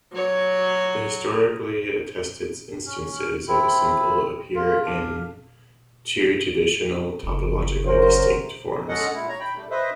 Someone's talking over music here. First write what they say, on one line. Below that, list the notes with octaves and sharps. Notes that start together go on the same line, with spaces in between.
The historically attested instances of the symbol appear in two traditional, topologically distinct, forms.
F#3 C#5
C#4
C4 E4
F4
D4 F5
F#1
F#2 A#4 C5
G#3 C#4 A4 D#5 F#5
A#2 G#3 E4
C#5 A#5
G5 B5
G3 A3
B4 C5 D#5 E5